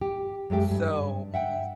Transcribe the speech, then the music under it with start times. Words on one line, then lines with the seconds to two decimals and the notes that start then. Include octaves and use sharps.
so, m
0.01 G4
0.50 F#2 G#3 A3 G4
0.71 G2
1.34 E5 F#5 G5